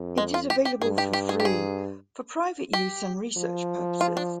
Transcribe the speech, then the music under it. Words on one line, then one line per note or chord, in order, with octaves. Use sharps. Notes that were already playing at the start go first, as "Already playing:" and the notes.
It is available for free for private use and research purposes.
Already playing: F2
G#3
F4
G4
G4
G2 G#4
G4
G4
G#4
G4
G#4
G4
F3
F4
D4